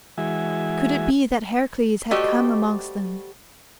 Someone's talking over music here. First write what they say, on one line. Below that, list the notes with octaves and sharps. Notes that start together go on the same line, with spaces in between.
Could it be that Heracles had come amongst them?
E3 G#3 F#4 E5 G#5
G3 A3 F#4 G4 C5 D#5